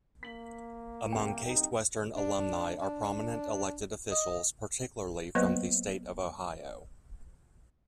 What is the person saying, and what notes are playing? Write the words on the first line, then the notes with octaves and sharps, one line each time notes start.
Among Case Western alumni are prominent elected officials, particularly from the State of Ohio.
A#3 B6 F#7
C2 G5
D#4
D4
D4
D#5
F#3 A#3 B3 B4 C5 D#5